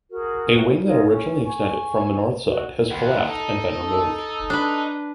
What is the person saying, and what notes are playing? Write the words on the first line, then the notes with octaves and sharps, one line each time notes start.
A wing that originally extended from the north side has collapsed and been removed.
F#4 G#4 A#4
D#4 F4 A#4 C#5
C#4
G#5 C#6
F#4
D#2 F4 B4 F#5
D#4 A4
D4 B4